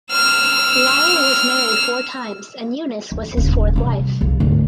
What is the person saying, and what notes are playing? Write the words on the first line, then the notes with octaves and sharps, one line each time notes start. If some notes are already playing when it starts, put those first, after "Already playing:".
Lyle was married four times and Eunice was his fourth wife.
E6 F6
E2
D#1 C#3
C3 G3
C2 F2
D2 G#2